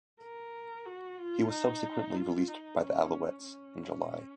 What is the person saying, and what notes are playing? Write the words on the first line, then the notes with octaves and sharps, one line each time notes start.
He was subsequently released by the Alouettes in July.
A#4
F#4
F4
D#4
F4
D#4
C#4
C#4